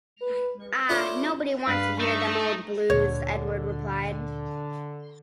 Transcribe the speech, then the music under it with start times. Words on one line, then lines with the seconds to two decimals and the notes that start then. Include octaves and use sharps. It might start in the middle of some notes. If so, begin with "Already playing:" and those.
"Ah, nobody wants to hear them old blues," Edward replied.
0.22 B4
0.89 D4 E4 F4 A4 C5 C#5
1.67 G2 B4 F5
2.00 A3 D#4 C#6
2.90 D2 A#2 D3 C#5